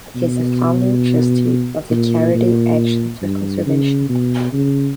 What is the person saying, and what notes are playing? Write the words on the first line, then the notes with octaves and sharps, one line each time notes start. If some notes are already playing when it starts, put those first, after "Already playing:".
He is a founding Trustee of the charity Action For Conservation.
B2
A#2
A#2
G2
C#3
B2
C#3